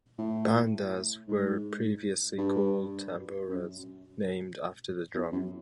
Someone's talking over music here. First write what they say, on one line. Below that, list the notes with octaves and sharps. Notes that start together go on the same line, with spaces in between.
Bandas were previously called "tamboras", named after this drum.
A2
G#2
G2
F#2
E2
F#2